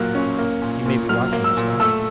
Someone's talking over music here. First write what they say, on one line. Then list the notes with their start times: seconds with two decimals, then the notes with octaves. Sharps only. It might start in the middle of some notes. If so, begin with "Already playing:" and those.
"He may be watching us now."
Already playing: A#2 F#3 A#3 F#6
0.15 C#4
0.39 A#3
0.62 A#2
0.86 A#2
1.09 F#3 F6
1.32 A#3
1.44 E6
1.57 A#2
1.80 A3 E6